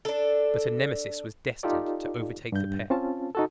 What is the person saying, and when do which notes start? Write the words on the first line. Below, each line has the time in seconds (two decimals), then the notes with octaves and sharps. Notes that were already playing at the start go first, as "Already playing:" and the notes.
But a nemesis was destined to overtake the pair.
0.05 D4 A4
1.63 D#4 F4 G4 A4 D5
2.52 G2 G6
2.90 C4 C#4 F4 A5
3.35 D#4 F#4 A4